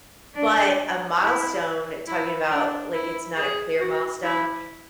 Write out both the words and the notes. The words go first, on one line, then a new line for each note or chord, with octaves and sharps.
but a milestone, talking about, l like, it's not a clear milestone,
D4
E4
E4
D4
E4
G#4
F#4
E4